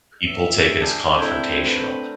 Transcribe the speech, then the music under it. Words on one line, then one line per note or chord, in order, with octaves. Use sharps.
people take it as confrontational,
A#2 E3 F#3 E5
G3 D4 G#4
D3 A3 C4 E4 A#4 G5
F#4 B4 C5 G5